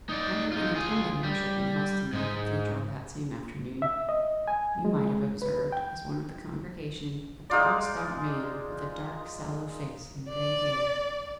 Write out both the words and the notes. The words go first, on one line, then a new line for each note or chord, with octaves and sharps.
Had you been attending worship in Helstonleigh Cathedral that same afternoon, you might have observed, as one of the congregation, a tall stout man, with a dark, sallow face, and grey hair.
D#4 D5
D#4 F4
F4 G#4
G3
G#2 G#3
E5
D#5
G#5
G#3
B4
G5
G#3 D#4 F4 D5
D5